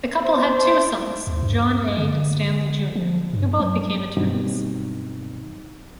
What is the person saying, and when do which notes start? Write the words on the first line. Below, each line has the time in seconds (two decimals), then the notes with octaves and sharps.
The couple had two sons, John A. and Stanley Junior who both became attorneys.
0.25 C5
1.27 D#2
1.43 G2
1.97 D3
2.95 F3
3.33 G2
3.60 F#3
4.17 G2 B2 D#3 F#3 C4 D#4